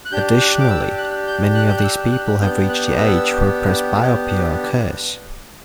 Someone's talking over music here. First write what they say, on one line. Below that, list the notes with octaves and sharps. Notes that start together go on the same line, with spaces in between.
Additionally, many of these people have reached the age where presbyopia occurs.
F#6
D4 G4 G6
F#6
D6
E6
F#6
G6
F#6
G6
F#6
E6
F#6
B3 D4 G4 G6
F#6
E6